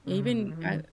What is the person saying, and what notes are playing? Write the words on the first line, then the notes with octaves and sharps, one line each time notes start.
even I
C#3
B2
D#3
E3
D#3